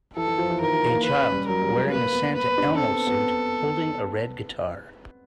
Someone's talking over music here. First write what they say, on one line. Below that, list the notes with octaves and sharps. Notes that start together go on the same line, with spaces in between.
A child wearing a santa elmo suit holding a red guitar.
E3 A4
E3
F3
E3
D#3 A#4
E3
A#3
B4
C#4
G3
F#3 A#4
G3
G#3
A#3 B4
B3
B4
D4
C#4
C4 A4
B3
B3